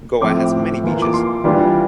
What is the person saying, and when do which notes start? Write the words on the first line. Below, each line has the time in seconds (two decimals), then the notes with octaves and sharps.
Goa has many beaches.
0.21 A2 F3 C4 D6
0.83 E3 A#3 F4
1.02 D6
1.14 C6
1.44 E3 G3 D4 F4